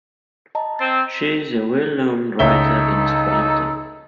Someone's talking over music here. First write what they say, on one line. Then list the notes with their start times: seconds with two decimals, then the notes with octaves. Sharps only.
She is a well-known writer in Esperanto.
0.55 D#5 A5 A#5
0.79 C4 A6
2.39 C#2 D#4 A4 E5 G7